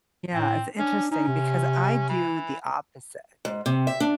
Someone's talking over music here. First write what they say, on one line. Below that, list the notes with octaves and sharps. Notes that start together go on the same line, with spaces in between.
Yeah, it's interesting because I do the opposite.
A2 C4
C#4 D4
C#4 D#4
C3
E3
G#2
C3
E5
D4